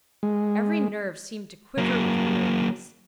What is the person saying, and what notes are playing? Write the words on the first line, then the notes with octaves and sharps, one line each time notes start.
Every nerve seemed to quiver with weariness.
G#3
F#3 A#3